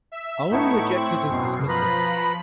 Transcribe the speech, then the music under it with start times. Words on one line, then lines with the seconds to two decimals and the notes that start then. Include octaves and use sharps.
Aoun rejected his dismissal.
0.12 E5
0.51 A2 A3 B3 D#4 E4 C#6
0.95 C4
1.29 F#2 B2 C7
1.68 F3 B4 A#5 B5